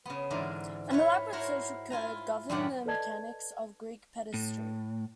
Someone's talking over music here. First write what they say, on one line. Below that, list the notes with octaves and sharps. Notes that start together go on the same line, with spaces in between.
An elaborate social code governed the mechanics of Greek pederasty.
C#3 B3
G#2 D3 E3 D4 A#4
E4 F4 B4 C#5
E4 F#4 A#4 C5 C#5
E4 F4 G#5 A#5
F#2 A2 D#3 G4 D5 F#5
A4 B4 D5 D#5 A5 G#6
A2